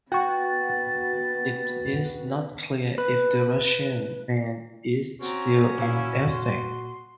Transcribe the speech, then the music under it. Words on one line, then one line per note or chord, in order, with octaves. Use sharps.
It is not clear if the Russian ban is still in effect.
B3 F#4 B4 G5 C#6 A6
B4
C4 C#4 F#4 A#5
A#2 E4 F5
C6